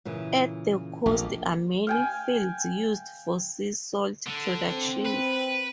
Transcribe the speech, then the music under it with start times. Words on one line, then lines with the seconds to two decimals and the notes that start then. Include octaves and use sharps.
At the coast are many fields used for sea salt production.
0.05 A#2 C#3 E3
1.06 A#1 A#3 G4 A4
1.87 F5 G5 G#5
4.27 D3
4.71 C4
5.06 B4